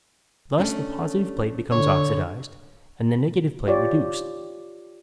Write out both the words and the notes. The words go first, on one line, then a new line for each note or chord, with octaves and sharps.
Thus, the positive plate becomes oxidized, and the negative plate reduced.
A3 C#4 D4
D3 C#5
F4 G4 C#5 D5